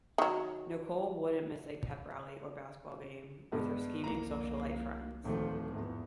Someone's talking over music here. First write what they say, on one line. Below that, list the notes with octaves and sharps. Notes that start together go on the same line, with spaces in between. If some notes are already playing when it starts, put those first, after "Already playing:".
Nicole wouldn't miss a pep rally or basketball game with her scheming socialite friends.
D#3 F#3
G2 G#3 B3
C2 F2 A#3 A#5
D1 D#3 F3 A3
E2 G#2